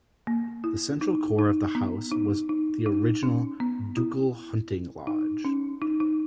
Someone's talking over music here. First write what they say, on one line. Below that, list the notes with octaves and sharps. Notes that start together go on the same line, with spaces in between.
The central core of the house was the original ducal hunting lodge.
A#3
E4
D#4
D#4
B3
D#4
D#4
D#4
C#4
B3
E4
D#4
C#4
D#4
D#4